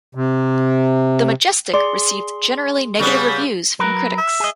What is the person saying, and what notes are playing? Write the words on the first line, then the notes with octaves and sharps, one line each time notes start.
"The Majestic" received generally negative reviews from critics.
C3
G#4 D5 C6
C#3 G3 B3
F#3 A#4 B4
E5
G#4 D#5